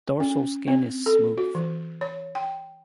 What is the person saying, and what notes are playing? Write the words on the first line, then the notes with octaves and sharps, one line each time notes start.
Dorsal skin is smooth.
C#4
C4
A4
F#4
E3
C#5
G5